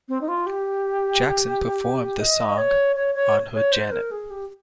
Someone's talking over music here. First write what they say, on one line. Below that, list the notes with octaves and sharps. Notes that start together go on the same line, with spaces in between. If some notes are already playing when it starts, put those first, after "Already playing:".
Jackson performed the song on her janet.
C4
D#4
F4
G4
D#5
C#5
C#5
C#5
C#5
C5
A#4
G#4
G4